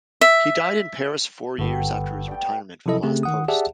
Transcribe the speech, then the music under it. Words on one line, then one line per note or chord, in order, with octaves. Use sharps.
He died in Paris four years after his retirement from the last post.
E5
G1 A3 B3 G4
D5 G5
C3 F3 F#3 E4 A4 D#5
C#3 A3 C4 G4 G#4
D#3 F#5 D#6
G4 G#4 D5 E5 F#5 A5